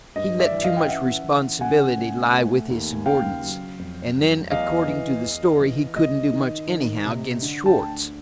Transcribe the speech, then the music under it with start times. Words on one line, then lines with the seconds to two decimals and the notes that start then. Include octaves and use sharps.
He let too much responsibility lie with his subordinates--and then, according to the story, he couldn't do much anyhow, against Schwartz.
0.16 G2 D#5
0.39 D5 E5
0.52 E3
0.64 D#5 F5
0.77 G5
0.88 C#4 E5 F#5
1.24 E3
1.61 C#3 F#5 G#5
1.98 A3
2.33 A3
2.70 D#2
3.06 C#3 F5 G5
3.42 F#3
3.79 F2
4.16 F#3
4.51 E2 D#5 F5
4.88 E3
5.23 E2
5.61 E3
5.96 C2 D#5
6.33 D#3
6.69 D#3
7.05 C3
7.42 D3
7.66 G5 A5
7.77 D2